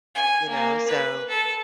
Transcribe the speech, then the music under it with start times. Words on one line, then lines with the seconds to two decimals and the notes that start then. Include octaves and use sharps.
You know? So
0.15 G#5
0.49 A#3
0.87 B4
1.29 A4